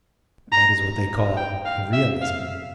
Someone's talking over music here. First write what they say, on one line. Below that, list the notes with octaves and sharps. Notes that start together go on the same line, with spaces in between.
That is what they call realism.
A#5
G5
F5
E5
F5